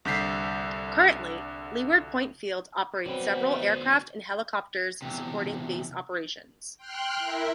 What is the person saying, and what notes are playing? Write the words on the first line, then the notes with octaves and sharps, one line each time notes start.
Currently, Leeward Point Field operates several aircraft and helicopters supporting base operations.
C2 D3 G6 B6 C7
F2 F#3 B3 C4 F#4 B4 C5 D5
E2 C3
G5 C6 F6 F#6
E4 A#4 E5